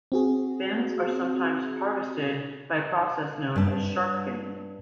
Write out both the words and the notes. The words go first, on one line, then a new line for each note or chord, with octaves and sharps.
Fins are sometimes harvested by a process known as shark finning.
C4 F#4 G#4
G2 A5